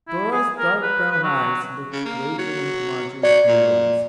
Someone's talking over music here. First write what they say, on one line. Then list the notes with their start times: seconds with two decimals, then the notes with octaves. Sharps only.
Dora's dark brown eyes looked gravely into Marjorie's blue ones.
0.08 E4
0.32 G#4
0.59 A#4
0.82 B4
1.11 B4
1.23 F#3
1.92 C#3
2.05 A#3
2.38 F#3
3.23 F#3 D5
3.47 A#2